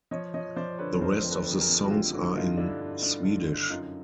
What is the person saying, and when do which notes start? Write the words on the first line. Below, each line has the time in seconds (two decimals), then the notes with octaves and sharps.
The rest of the songs are in Swedish.
0.11 F3 C#5 D#5
0.34 F3 C#5 D#5
0.56 F3 C5 D5
0.78 D3 B4 C#5
1.01 F3 A#4 C5
1.24 F2
1.31 A4 B4
1.46 F2
1.61 G#4 A#4
1.69 F2
1.85 F#4
1.91 D3 F4 G4
2.13 G2 E4 F#4
2.35 G2 D#4 F4
2.57 D3 D4 E4
2.80 G2
3.02 G2
3.25 G2
3.47 D3
3.70 F#2 D#4 F4